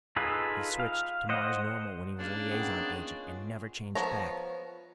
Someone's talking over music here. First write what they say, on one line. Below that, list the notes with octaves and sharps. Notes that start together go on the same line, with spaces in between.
He switched to Mars-normal when he was a liaison agent and never changed back.
D#4 F4 G#4 A4 B4
F5
C5 D#5 F#5
C#3 A#3 D4 D5 F5
D#3 B3 F4
C#4
F3 B3 C#5 A#5